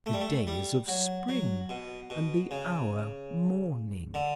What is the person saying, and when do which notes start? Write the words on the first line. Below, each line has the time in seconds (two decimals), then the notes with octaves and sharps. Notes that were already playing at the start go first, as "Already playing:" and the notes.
The day is of spring, and the hour morning.
0.06 A3
0.13 G3
0.20 A3
0.47 G3
0.88 F#3
1.28 F#3
1.69 B2
2.10 B2
2.51 C#3
4.14 D3